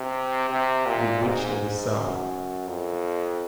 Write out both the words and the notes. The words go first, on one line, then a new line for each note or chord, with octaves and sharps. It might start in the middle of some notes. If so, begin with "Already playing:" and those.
The Witch of the South.
Already playing: C3
C3
A#2
G#2
F#2
F2